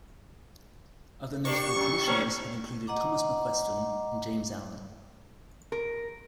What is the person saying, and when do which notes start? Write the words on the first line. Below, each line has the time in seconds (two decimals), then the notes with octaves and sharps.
Other notable Commissioners have included Thomas McQuesten and James Allan.
1.45 A#3 D4 G4 C#6
1.76 F2
2.07 G3 A3 C#5
2.87 D#5 F#5 A#5 D6
5.72 A#4